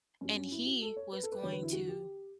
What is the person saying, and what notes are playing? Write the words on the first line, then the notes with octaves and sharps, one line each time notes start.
and he was going to
G2 F#3 C#4
C#4
E4
F#4
A4
C#5
B4
A4
B4
E2 D3 F#3 C#5
B4
E4
F#4
G4